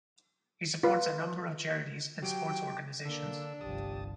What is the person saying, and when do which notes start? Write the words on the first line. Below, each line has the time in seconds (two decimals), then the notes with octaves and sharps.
He supports a number of charities and sports organisations.
0.83 F4 B4
2.22 F#3 G4 G5 D7
3.05 D3 A#3 D4 E6
3.61 G1 C2 F3 G4 A5 D#6